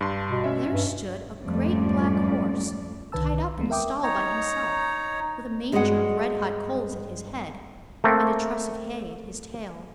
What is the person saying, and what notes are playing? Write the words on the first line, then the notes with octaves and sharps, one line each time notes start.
There stood a great black horse tied up in a stall by himself, with a manger of red-hot coals at his head and a truss of hay at his tail.
G2 A5 C6
B2
C#4 E5
G2
F2 G#2 G3 A3 C#4 D5
C2 D3 D#3 B4 A5 E6
D2 E3 G#3 A#3 B3
A#4 E5 G5 D6 D#6
D#4 C#5 A#5
G2 G#3 D4 F#4 G#4 F#5
A3 A#3 C4